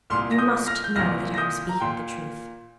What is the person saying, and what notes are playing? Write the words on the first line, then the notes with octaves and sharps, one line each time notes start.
You must know that I am speaking the truth.
C2 A#2 C6 F6
A#6
D#6 G6
F6 A#6
G6
C2 A#2 F6 A#6
A#6
D#6 G6
A#5
A#2 G5 C6